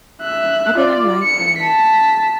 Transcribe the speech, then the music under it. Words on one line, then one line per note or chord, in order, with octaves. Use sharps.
I didn't like that.
E5 F#6
F4 D5
C#7
A5 B6